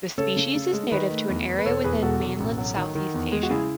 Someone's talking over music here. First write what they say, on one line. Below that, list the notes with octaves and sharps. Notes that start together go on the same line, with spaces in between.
The species is native to an area within Mainland Southeast Asia.
C#3 A4 C#5
C#3
C#3
G#3
D#3 B4 D#5
A3
E2
E2
B4
E1 A4 C#5
E2 G#4 B4
E1 F#4 A4
E1
A1
F#3
D#3
D#3
E2
G#3
F#4
C#3 E4 G#4